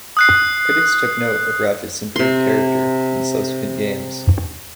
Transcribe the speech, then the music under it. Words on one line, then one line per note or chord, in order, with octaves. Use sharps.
Critics took note of Ratchet's improved character in subsequent games.
D#6 F#6 C7
C3 C6